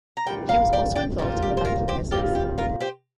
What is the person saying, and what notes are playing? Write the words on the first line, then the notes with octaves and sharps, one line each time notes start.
He was also involved in the banking business.
A#5
A#2 G3 G5
F5 A#5
D5 G5
D5 G5
A#2 G3 C4 F4 G4
G4
C5
F4 A#4
G4 C5
A#2 G3 C4 F4 G4
G4
F4 A#4
G4 C5